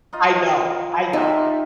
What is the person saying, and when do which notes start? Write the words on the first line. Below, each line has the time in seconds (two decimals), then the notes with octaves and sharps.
I know, I know.
0.13 D#4 F4 D#5
1.13 D#4 F4 G4 E5